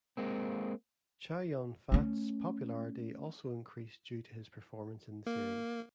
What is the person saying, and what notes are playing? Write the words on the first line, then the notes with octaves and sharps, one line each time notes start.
Chow Yun-fat's popularity also increased due to his performance in the series.
G#3 A#3 C4
A3 C#4
A#3